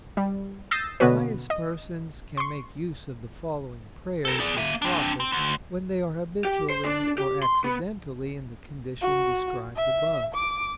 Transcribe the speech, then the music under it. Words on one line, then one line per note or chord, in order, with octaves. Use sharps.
Pious persons can make use of the following prayers with profit when they are habitually or accidentally in the condition described above.
G3
D#6 E6 G6 A6 A#6 C7
B2 D3 B3 C#4 F#4 B4
D#5
C6 C#6
A4 A#4
G#4 D5
A#3 E5
C4 D4
C4
D2
G4
C5
D4
G4
C6
B3
F#4
E5
D6